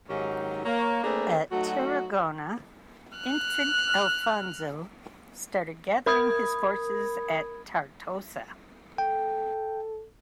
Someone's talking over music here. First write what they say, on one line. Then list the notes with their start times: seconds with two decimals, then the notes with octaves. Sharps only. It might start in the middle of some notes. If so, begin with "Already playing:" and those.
At Tarragona Infant Alfonso started gathering his forces at Tortosa.
0.10 G#2 D#3 F#3 C#4 D#4 G4
0.65 A#3 C#5
1.03 A3 A#3 C4 D4 G#4 B4
1.51 F#3 A3 D#4 F#4
3.17 F6 F#6
6.06 A#4 B5 D#6 G#6
8.98 A4 G5